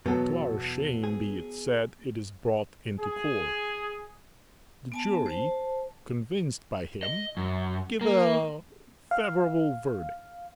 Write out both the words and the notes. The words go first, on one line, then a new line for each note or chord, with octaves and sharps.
To our shame be it said, it is brought into court.' The jury, convinced by him, give a favorable verdict.
E2 B2 F#3 B3 A4
G#4
G#4
B3 G#5 A5
C5 A5
D#5
F#2
A#3
F5